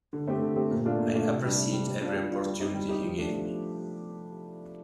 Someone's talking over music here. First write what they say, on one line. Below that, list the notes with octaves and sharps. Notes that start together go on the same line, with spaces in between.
I appreciate every opportunity he gave me.
D3
A3 C4 G4
D3
A3 C4 G4
A#2
A3 D4 F4
A#2
A3 D4 F4
C3
G3 D4
C3
G3 D4
G3
D4 F4
G3
D4 F4
G3
C4 D#4 G4
G3
C4 D#4 G4
F3
A3 D4 G4
F3